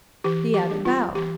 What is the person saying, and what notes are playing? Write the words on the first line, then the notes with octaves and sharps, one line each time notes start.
The Abbot bowed.
E3 G4
G4
G3 D4
F4
E3 G4